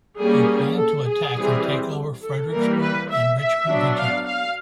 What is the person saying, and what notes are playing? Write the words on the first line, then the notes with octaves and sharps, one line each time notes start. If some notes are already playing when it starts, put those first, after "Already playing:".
He planned to attack and take over Fredericksburg and Richmond, Virginia.
G3 A#3 C#4 G#4
A4
G#4
E3 G3 C4
A4
E3 G3 A#3 A#4
B4
E5
E5
F#3 B3 D4
F5
F5